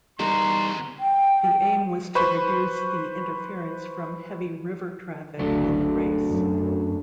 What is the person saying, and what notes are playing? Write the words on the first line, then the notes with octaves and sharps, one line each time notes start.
The aim was to reduce the interference from heavy river traffic on the race.
E2 G3 D#4 F#4 A#4 C6
G5
B4 C5 B5 C#6
F#1 D2 F#3 A3 D4
F#2